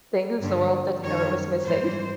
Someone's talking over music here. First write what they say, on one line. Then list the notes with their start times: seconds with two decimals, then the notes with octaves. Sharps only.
Things the world didn't know it was missing.
0.40 G2 D3 G3
1.03 F#2 D#3 G3 C#5
1.66 G#2 E3 G3 C5